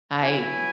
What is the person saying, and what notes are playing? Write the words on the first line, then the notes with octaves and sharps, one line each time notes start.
I, d
F#3 B3 E4 G#5